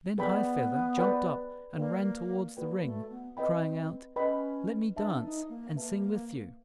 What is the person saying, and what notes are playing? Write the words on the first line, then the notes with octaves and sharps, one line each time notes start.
Then High-feather jumped up and ran towards the ring, crying out, "Let me dance and sing with you!"
B3 G#4 B4 D5 G5 B5
G#4 B4 D5 G5 B5
A#3 F#4 B4 D5 G5
A#3 F#4 B4 D5 G5
A3
B3
C4 B4 D#5 G5 B5
C#4 B4 D#5 G5 B5
D4 B4 E5 A5
D#4
A#3
A#3 B4 E5 A5